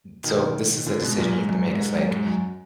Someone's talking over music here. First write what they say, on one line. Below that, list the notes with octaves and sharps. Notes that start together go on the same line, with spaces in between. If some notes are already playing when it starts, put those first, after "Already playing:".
n so, this is a decision you have to make, it's, like,
B2 D#3
A#2 D3
G#2 B2
B2
F#2 A#2
G#2
F#2
G#2
G#2
F#2
G#2
F#2